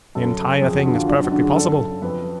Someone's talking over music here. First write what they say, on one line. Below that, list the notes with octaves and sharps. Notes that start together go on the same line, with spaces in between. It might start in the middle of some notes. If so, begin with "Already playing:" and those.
The entire thing is perfectly possible.
F#2 A4
C#3
F2 G#4
F#4
D3
F4
F#2 D4
F#4
D3
G#4
F#2 A4
C#3
F2 B4